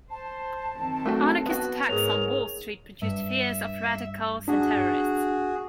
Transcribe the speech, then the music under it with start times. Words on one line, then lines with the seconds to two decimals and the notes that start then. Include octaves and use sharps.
Anarchist attacks on Wall Street produced fears of radicals and terrorists.
0.11 C5 A5
0.77 D#3 F#3 C4
1.06 A3 F#4 A4
1.46 B3 F#4
1.89 G#2 G#4 A#4 C#5 F7
3.02 G2 E5
4.48 D4 F#4 G#4